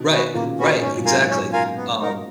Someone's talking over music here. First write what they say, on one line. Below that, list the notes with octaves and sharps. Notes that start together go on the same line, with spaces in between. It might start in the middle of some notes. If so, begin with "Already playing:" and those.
Right, right, exactly, um
Already playing: B2 D#3
C#4 F#4 B4
A#2 C#3 A#3
C#4 F#4 B4
G#2 B2 C#4
F#2 A#2
F4 A#4 F5 G#5
G#2
C#4
F4 A#4 F5 G#5
B3
D#4 A#4